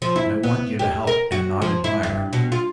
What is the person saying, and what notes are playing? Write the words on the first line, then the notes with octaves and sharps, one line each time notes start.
And I want you to help, and not admire.
F3
E4
B3
G4
A#4
F#4
F3
E4
G2
B2
F4